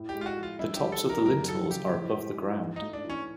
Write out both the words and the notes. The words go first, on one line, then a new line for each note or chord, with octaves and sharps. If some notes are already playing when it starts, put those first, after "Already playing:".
The tops of the lintels are above the ground.
Already playing: A2
G4
G#3
F4
F#4
F3
F4
G2 E4
G4
G3
A4
D#3
A#4
F#2 A#4
F#3 A4
C#3 G4
A2
G#3
E3
G#2
D#4
A3
D4
E3
C#4